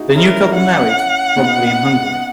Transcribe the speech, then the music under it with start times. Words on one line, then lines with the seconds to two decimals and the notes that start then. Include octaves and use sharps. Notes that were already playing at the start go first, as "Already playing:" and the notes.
The new couple married, probably in Hungary.
Already playing: D#4 E4 F#4 G#4
0.15 C#4 E4 A#4
0.55 C#4 E4 F#5
1.36 B3 D#4